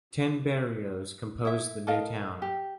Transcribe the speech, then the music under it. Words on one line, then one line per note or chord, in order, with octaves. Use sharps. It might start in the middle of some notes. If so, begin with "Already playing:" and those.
Ten barrios composed the new town.
E4 E5
A4 A#4 D#5 F5
G4